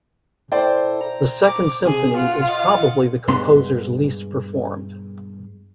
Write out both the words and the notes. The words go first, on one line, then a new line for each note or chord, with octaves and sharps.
The Second Symphony is probably the composer's least performed.
E4 A4 C5 D5 G5
A#5
D6
C3 G#4
F4 F#5
D#5 F#5 A6
G2 G#3 B3 C6